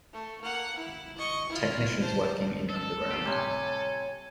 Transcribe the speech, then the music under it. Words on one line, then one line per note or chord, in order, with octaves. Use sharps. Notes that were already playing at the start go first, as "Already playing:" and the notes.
Technicians working in underground.
A3
A#3 F#5
E4
D#5 C#6
E4 F4
C5 A5
A4 E6
F4 G4
A2 C3 G3 C#5 G#5